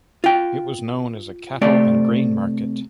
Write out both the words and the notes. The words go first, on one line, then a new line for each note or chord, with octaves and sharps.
It was known as a cattle and grain market.
F4 G5
C3 A3 C4 D5